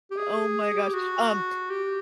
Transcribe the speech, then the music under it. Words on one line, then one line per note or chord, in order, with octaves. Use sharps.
Oh my gosh, um,
G4
G#4
G4
F#4
G4